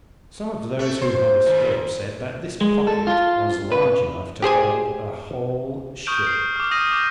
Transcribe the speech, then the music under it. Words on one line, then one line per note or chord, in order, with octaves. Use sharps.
Some of those who had escaped said that this pocket was large enough to hold a whole ship.
A3
C5
D#2
G#3
A4
F4
B4
G4 G#4 C5 G#5
C#6 D#6 F6 G6 D7
C7
D6 F6
D#6 G6 A#6 D#7
D6 G6 D#7